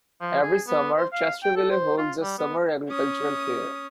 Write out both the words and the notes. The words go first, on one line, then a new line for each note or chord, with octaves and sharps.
Every summer, Chesterville holds a summer agricultural fair.
F3
G#4
B3
C5
F5
G5
A4
C5
F4
G3
B3
C#4 D#6